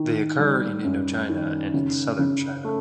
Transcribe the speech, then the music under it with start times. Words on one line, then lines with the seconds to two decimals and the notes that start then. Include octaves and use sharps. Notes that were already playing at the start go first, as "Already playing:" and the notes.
They occur in Indochina and in southern China.
Already playing: D#3
0.40 G3
0.84 F#2
1.29 D#3
1.74 C#3
2.19 C#3
2.65 A3